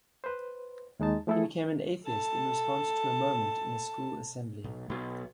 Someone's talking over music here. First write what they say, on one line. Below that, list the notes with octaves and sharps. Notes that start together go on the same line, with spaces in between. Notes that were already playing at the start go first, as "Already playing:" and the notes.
He became an atheist in response to a moment in a school assembly.
B4 C5
D#2 G#3 D#4 A5
F3 A3 E4 G#4 A4
A4 A5
B1
B1